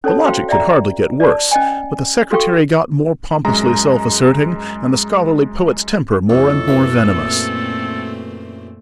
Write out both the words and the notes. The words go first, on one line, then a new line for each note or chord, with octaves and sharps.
The logic could hardly get worse, but the secretary got more pompously self-asserting, and the scholarly poet's temper more and more venomous.
C#4 A4 C#5 A5
F#4 C5 F5 G5
D5 E5 G5 A#5
D5 A5
C#4 D#5 G5 G#5
F#4 A4 F5 G5 C#6
F#2 G#3 A#5
F2 A2 A4
F#2 A#2 E3 A3 C4 E5